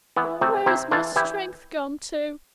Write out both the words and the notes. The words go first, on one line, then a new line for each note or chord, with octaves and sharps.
Oh, where is my strength gone to?
E3 B3
C3 A3 C4
C3 C4 E4
E3 F4 A4
E3 E4 G4